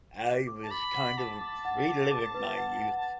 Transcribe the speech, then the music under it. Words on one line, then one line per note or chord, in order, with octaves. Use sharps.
I was kind of reliving my youth.
D6
D6
A5
B5 D6
F#5
A5 D6
D6
F#5
D6
D6
B4
F#5
F#5
A5